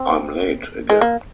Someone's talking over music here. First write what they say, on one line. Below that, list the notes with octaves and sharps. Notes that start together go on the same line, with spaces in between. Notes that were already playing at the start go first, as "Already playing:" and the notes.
I’m late again!
Already playing: C4
G#3
A#3